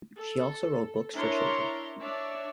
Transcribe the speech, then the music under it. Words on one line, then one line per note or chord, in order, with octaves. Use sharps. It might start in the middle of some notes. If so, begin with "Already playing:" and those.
She also wrote books for children.
A4
D4 E4 A#4 C#5 A#5 C6
D4 C#5 D5 E5